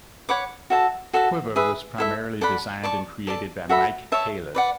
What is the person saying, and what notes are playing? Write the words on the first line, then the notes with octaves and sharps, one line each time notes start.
Quiver was primarily designed and created by Mike Taylor.
C#5 F#5 B5 D6
F#4 A4 E5 A5
F#4 A4 E5 A5
G#4 B4 E5
E4 A4 E5
A4 D5 F#5 B5
D5 A5 C#6
A4 D5 A5
F#4 A4 E5 B5
C#5 E5 A5
B4 D5 F#5